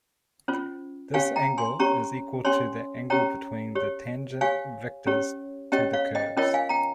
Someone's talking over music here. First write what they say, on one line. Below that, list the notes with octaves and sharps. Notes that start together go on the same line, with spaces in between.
This angle is equal to the angle between the tangent vectors to the curves.
C#4 F4 C5
C#4 G4 C#5 F5 G#5
G5 A#5
G#5 C6
C#4 G4 C#5 A#5 C#6
C#4 G4 C#5 G#5 C6
C#4 G4 C#5 G5 A#5
G4 C#5
G4 C#5 F5 G#5
C#4 G4 C#5
C#4 G4 C#5 D#5 G5
C#5 F5
D#5 G5
C#4 F4 A#4 C#5 D#5 G5
F5 G#5
G5 A#5